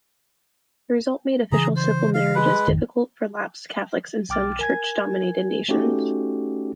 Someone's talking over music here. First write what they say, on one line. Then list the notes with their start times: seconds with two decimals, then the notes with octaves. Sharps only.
The result made official civil marriages difficult for lapsed Catholics in some Church-dominated nations.
1.52 C#3 E3 F#3 G#4 A#5
1.76 C5
2.14 F5
2.35 G#3 B4
2.68 A1 F2 D#3
4.29 B1 G5 D6 F6 A6
4.59 A#4 G#5 G#6
5.69 A3 C#4 D#4 F#4 G4 A4